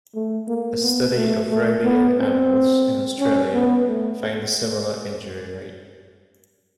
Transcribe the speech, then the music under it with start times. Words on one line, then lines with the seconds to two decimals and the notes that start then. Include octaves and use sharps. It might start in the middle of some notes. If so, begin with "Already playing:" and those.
A study of rodeo animals in Australia found a similar injury rate.
0.15 A3
0.48 A#3
0.82 B3
1.16 A3
1.50 A3
1.84 B3
2.19 C4
3.20 C#4
3.54 B3
3.88 A3